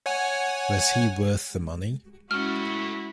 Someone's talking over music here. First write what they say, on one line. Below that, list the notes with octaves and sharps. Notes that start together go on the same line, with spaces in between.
Was he worth the money?
C#5 F#5 G#5
G#3 A3 C#4 E4 F#4 C#5 F6